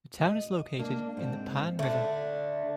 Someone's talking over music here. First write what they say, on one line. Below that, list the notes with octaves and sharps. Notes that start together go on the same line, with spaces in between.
The town is located in the Pan River.
D#5
A#3 D4
G#2 C4
D3 A3 D4